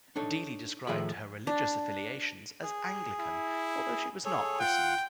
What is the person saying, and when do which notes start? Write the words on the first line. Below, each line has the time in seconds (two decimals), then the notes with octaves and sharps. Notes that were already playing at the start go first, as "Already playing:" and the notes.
Deeley describes her religious affiliation as Anglican, although she was not christened.
0.16 D4 D#4 A4 C#5
0.87 A2 D#3 F3 G#4 E5 B5
1.47 D4
2.63 G#4
3.20 E4
4.25 G#4 A4 C#5
4.60 F4 F#5 G5